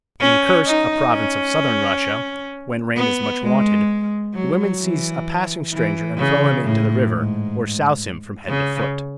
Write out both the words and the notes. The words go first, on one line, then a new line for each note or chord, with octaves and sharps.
In Kursk, a province of Southern Russia, when rain is much wanted, the women seize a passing stranger and throw him into the river, or souse him from head to foot.
C#4
D#4
C#4
B3
G#3
F#3
E3
E3
C#3
A2
G#2
C#3